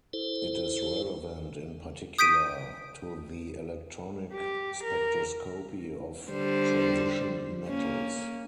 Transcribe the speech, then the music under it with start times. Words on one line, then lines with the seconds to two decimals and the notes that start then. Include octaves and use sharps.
It is relevant, in particular, to the electronic spectroscopy of transition metals.
0.13 E4 A4 C5
2.18 D#6 G6 B6 D7 D#7
4.32 G4
4.84 A#4
6.29 D3 G3 C5
7.67 A#3 C#4